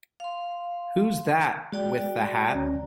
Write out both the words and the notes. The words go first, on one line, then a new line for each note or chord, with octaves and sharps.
Who's that with the hat?
F5 C6
G#3 F#4 D5 G5
D2 C#4 A#5